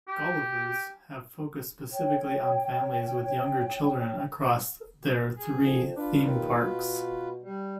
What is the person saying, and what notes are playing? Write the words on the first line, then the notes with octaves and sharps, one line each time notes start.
Gulliver's have focused specifically on families with younger children across their three theme parks.
G4
C#5 G5
G#4
F2
D4 F4 B4
D#2
B2
G3